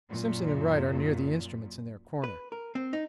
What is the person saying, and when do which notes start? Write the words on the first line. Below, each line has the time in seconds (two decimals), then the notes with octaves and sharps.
Simpson and Wright are near the instruments in their corner.
0.11 F#2 A#2
2.24 B4
2.52 A#4
2.75 C4
2.93 D#4